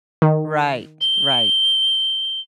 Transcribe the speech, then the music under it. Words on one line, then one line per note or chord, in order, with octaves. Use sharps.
Right, right.
D#3
G7